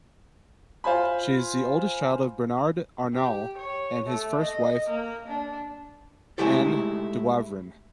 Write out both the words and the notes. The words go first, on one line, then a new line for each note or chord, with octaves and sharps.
She is the oldest child of Bernard Arnault and his first wife, Anne Dewavrin.
F4 C5 G#5 B5
G4
C#5
A3
D#5
A#3
D4
G#3 A3 D#4 E4 G4 A4